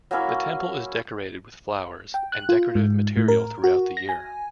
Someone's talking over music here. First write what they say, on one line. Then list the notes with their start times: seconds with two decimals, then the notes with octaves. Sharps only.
The temple is decorated with flowers and decorative material throughout the year.
0.11 F#3 A#3 C#4 E4
2.14 G5
2.32 F#6
2.49 F4
2.75 G#2
3.17 A2
3.28 A#4
3.64 F#4
3.97 A#6
4.09 G#5